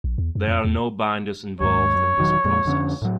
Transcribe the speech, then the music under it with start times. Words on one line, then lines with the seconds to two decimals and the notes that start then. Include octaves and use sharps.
There are no binders involved in this process.
0.04 A#1
0.18 E2
0.35 F#2
0.48 F2
0.65 E2
1.61 D#2 G#2 C#5
1.96 F#2
2.18 E1 D#3 F#3
2.45 F2 A#2 G#3
2.65 F2 D3 C#4
3.02 A2 F#3